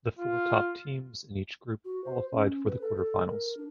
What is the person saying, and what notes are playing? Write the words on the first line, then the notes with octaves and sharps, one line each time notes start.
The four top teams in each group qualified for the quarter-finals.
F4
F#4
C5
C#4
B4
A4
A4
A#4
D4